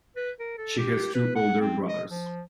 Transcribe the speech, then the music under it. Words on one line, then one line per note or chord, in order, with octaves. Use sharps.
She has two older brothers.
B4
A#4
A4
G4
B4
F#5
C4
D#5
F3